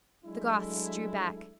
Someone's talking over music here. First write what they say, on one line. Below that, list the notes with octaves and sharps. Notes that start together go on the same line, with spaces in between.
The Goths drew back.
F#3 G#3 A3 D4 E4